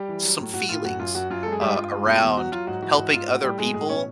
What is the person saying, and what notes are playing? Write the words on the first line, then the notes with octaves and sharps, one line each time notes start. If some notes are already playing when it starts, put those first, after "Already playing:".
some feelings, uh, around helping other people
Already playing: G3 G4
E3
F#3
A2
A2 F#4
A2 F4
F#2 F#4
F#2 F4
F#2 F#4
F#2 F4
G#3 A4
G#4
G2 G3 G4
G2 F4
G#3
B2
E2
F#3 F#4
F#3 F4
G#2 F#4
E3 F#4
G#2 F#4
G#2 F4
A2 F#4
A2 G3 G4
F#3 G#3 G#4
A2 G#3 G#4
B2 C#4 C#5